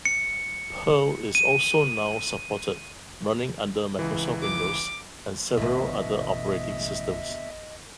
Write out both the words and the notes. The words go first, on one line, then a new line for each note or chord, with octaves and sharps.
Perl is also now supported running under Microsoft Windows and several other operating systems.
C#7
D#7
C#2 E3
D6
A1 D2 G2 B2 D#5 E5